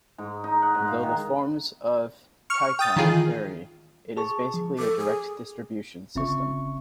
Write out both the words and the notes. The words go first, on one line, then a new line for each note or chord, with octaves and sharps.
Though the forms of teikei vary, it is basically a direct distribution system.
G#2
D#4
F#5
G#2
F5
D#3
C#6 F6
G5 D#6 A6
D#3 E3 F4 G#4
G#4 A5 C#6
F3
A4 D6
G#4
G1 C#3 C4 C#4 E5 C#6